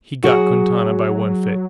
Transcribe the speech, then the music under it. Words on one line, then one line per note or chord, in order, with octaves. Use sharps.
He got Quintana by one foot.
F#3 F#4 G#4